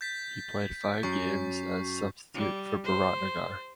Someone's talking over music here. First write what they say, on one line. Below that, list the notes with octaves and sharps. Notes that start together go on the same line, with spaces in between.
He played five games as substitute for Biratnagar.
G6 A6 B6
F#2 C#6 C7
G3
C5